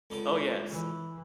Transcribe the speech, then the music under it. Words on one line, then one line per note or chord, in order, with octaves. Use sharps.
Oh, yes."
C#2 D3 D6
E3